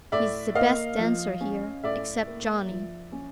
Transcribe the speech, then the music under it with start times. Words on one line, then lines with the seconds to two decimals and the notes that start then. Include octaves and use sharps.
"He's the best dancer here, except Johnny."
0.12 A2 D5 E5
0.55 A#3 D#5 F5
0.99 F3
1.41 C#4
1.84 A2 D5 E5
2.27 A#3
2.69 F3
3.12 C#4